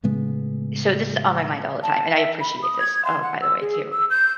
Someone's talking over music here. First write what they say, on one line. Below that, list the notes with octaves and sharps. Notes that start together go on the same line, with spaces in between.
so this is on my mind all the time, and I appreciate this, oh, by the way, too.
A2 C#3 G#3 B3
A5
E5
B5
D#6
G#6
C6
F#5
E6
G#4
E6
G6